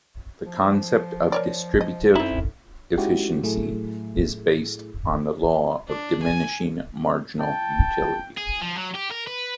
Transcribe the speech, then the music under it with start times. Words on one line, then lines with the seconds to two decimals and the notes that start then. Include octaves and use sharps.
The concept of distributive efficiency is based on the law of diminishing marginal utility.
0.46 F3
1.32 A#4 C#5 D5
1.81 D#5
2.15 F#2 C4 D#4 E4 A4
2.98 G#3 C#4 D#4 E4 F#4 G4
3.42 A2 F#3 A3 E4 G#4
5.88 D4
6.23 G#5
7.40 G5 A5
8.38 G#4
8.61 F3
8.77 F#3
8.94 G4
9.11 A#4
9.27 B4